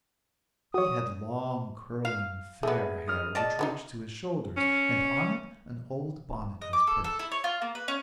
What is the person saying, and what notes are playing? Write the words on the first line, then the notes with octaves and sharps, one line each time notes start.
He had long, curling, fair hair which reached to his shoulders and on it an old bonnet was perched.
F#4 C#5 D#6
F5 C7
A3 B3 G#4
D#6 F6
D5 D#5 A5
F#3 B3 D#4
C#4
D#5
D6
A4
A4
E4
C#5
F4
A#3
B4
C#4